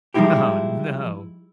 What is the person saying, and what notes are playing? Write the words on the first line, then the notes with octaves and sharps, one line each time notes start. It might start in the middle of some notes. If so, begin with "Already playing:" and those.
Oh, no.
F3 G3 G#3 D#4 E4 G4